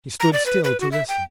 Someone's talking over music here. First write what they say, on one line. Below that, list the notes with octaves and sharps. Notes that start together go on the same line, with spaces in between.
He stood still to listen.
A#5
D5
B4
B4
F#4
E5
G5